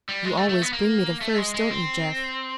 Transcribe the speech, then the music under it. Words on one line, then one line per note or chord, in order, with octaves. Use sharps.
You always bring me the first, don't you, Jeff?
G3
G#3
A3
A3
B3
A#3
A3
G#3
G#3
C4